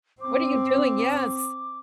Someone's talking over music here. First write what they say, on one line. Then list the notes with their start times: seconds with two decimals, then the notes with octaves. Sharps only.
What are you doing? Yes.
0.21 C4 D6